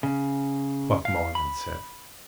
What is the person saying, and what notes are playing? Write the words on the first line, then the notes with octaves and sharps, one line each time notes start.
Buck Mulligan said.
C#3
F5
B5